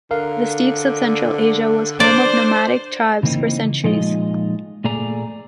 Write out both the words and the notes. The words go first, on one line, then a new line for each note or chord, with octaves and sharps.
The Steppes of Central Asia was home of nomadic tribes for centuries.
D3 A#4 F5
D4 C5 D5
C#3 E3 A#3 C4 D#4
A#2 F3 G#3 D#4 F4 D#5
A#2 A3 G#4 D5 A#5